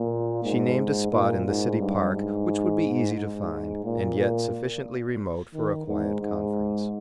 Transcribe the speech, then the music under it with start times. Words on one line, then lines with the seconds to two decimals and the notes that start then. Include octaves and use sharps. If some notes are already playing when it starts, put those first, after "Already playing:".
She named a spot in the city park which would be easy to find, and yet sufficiently remote for a quiet conference.
Already playing: A#2
0.44 G#2
1.12 A#2
1.46 G#2
1.80 G2
2.13 G#2
3.15 G#2
3.84 A#2
4.18 A#2
5.54 D#3
5.87 G#2
6.21 G#2